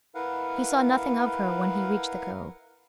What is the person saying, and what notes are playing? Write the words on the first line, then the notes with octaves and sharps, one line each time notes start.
He saw nothing of her when he reached the Cove.
E4 A#4 B4 F5 F#5